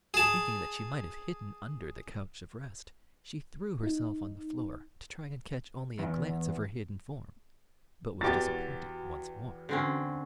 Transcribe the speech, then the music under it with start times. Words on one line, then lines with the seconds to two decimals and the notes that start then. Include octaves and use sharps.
Thinking that she might have hidden under the couch of rest, she threw herself on the floor to try and catch only a glance of her hidden form, but was disappointed once more.
0.14 G#4 A5
3.83 D#4
5.99 E2
8.21 E2 E3 F#4 G4 B4 A6
9.69 D3 C4 C#4